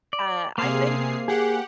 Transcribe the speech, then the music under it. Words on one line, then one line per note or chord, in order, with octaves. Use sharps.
uh, I've been
D5
C3 A#3 G#4 C5 F5 C7
G4 G#4 F#5